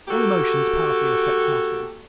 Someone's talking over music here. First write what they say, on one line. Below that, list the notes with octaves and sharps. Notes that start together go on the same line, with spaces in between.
All emotions powerfully affect muscles.
A#3 F#4 G4 A4